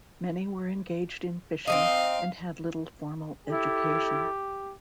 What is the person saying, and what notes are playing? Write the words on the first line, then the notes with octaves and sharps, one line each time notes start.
Many were engaged in fishing and had little formal education.
C4 C#4 D#4 F5
E4 G4 A4